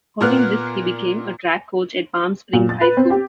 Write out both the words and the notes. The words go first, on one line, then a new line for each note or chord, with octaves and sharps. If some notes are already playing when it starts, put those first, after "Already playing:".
Following this he became a track coach at Palm Springs High School.
A#2 A#3 B3 F6 F#6
A#2
A6
B4
C4
G4